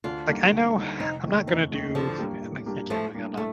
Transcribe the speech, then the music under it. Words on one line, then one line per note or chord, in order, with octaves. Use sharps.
like, I know I'm not gonna do like, again, like, I'm not
D2 D4 F4
D3 G3 A#3 D#4
D2
D3 G3 A#3 D#4
F1 C4 D#4
D#2 D#3 A3
F1 C4 D#4
D#2 D#3 A3
A2 D3 F3
G3 A#3 D4 G4
A2
G3 A#3 D4 G4
A2 F3 A3
G3 A#3 D4
A2 A3